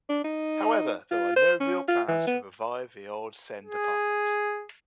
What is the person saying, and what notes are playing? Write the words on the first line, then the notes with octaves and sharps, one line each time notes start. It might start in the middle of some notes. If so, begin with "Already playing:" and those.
However, there are no real plans to revive the old Seine department.
D4
D#4
F4
C5
C#4
F4
E3
B3
G#4